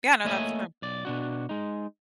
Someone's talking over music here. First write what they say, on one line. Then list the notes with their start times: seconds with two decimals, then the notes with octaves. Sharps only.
Yeah. No, that's true.
0.25 A3 A#3 C#5 D#5 E5 G#5
0.82 B1 D5
1.05 B2 D4 F#4
1.49 G#3 D#4